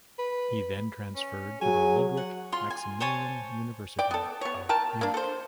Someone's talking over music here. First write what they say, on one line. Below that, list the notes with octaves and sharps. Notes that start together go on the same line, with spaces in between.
He then transferred to the Ludwig Maximilian University of Munich.
B4
C#4
F#3 F#4 G#4 G#5
F#5
F4 C6
G#5
C5 C#5 G#5 A5
D5 G5
B3 A4
B3 C#5
A#4 G5 A5
A#3 D4
A4 C5